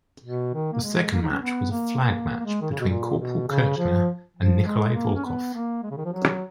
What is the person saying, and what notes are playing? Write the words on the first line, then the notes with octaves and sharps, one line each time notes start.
The second match was a flag match between Corporal Kirchner and Nikolai Volkoff.
B2
D#3
A#3
G#3
A#3
D#4
C#4
B3
A#3
A#3
A#3
G#3
D#3
C#3
B2
A#2
B2
C#3
F3
F3
G#3
A#3
C#4
B3
A#3
G#3
C#3
D#3
F3
F#3